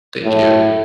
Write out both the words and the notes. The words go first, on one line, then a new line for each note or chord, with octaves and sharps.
Thank you.
A2